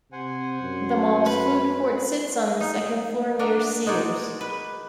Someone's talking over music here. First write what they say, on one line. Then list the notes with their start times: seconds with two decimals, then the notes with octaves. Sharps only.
The mall's food court sits on the second floor near Sears.
0.12 C3 C5 F#5 G#5
0.62 F#2
1.26 B4
2.60 D#4
3.39 D4 F#4 A#4 D#5
3.86 G#3 D#4 F#4 D5
4.41 B4